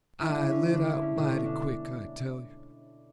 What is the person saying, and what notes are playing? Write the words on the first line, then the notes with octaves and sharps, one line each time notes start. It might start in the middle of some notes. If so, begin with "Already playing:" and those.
I lit out mighty quick, I tell you.
E4
D3 G#3 D4
C#4
D3 G#3 D4
E4
C#4
B2 A3 D4
C#4
D4